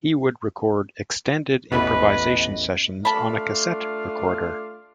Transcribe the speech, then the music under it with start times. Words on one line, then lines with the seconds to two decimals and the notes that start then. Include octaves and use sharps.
He would record extended improvisation sessions on a cassette recorder.
1.72 A1 E2 B2 E3 B3 B4 D#5 B5
3.05 A3 D4 F4 F5 A5 B5